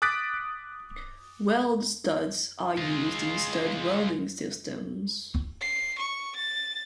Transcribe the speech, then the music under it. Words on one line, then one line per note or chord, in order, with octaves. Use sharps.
"Weld studs" are used in stud welding systems.
D6 D#6 F#6 A6 B6 D7
G#3 F4
C7
C#6
A6